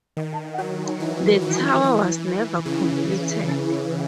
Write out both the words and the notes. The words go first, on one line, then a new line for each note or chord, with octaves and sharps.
The tower was never completed.
D#3
F#3
E3
E3
E3
C#3